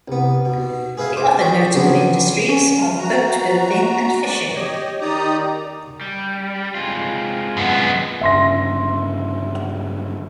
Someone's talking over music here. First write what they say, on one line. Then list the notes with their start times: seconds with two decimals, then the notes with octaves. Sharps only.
The other notable industries are the boat building and fishing.
0.08 C2 B3
0.45 B2
0.97 G#4 B4 E5 F5 G#5
1.16 C5 D6
1.41 C#5 D#5 G5 C#6
1.73 C#3 F#3 B3 C4 D4
2.48 C#4
2.98 F#4 A#5
4.21 D5
4.55 G4 C#5 D#5
5.01 D#3 D#4 G4 D5 A#5 D#6
6.01 G3
6.74 G#3 C4 F4
7.57 F#2 B3
8.21 G1 C#3 E5 C6 A#6